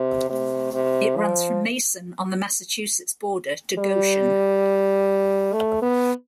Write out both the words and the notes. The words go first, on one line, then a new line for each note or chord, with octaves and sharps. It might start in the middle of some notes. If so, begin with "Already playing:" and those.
It runs from Mason on the Massachusetts border to Goshen.
Already playing: C3
C3
C3
F3
G3
A3
B3